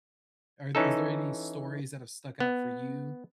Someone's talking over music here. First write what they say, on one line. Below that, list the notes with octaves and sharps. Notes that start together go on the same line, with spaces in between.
Are is there any stories that have stuck out for you
E3 C#4 D#4 A4
B3